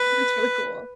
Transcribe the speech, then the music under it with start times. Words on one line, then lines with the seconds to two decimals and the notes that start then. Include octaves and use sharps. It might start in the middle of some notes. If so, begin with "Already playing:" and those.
That's really cool.
Already playing: B4